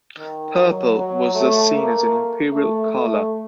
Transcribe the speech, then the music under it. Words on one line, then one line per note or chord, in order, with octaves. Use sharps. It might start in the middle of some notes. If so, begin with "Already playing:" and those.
Purple was thus seen as an imperial colour.
D#3
F#3
F#3
A3
A#3
A3
A3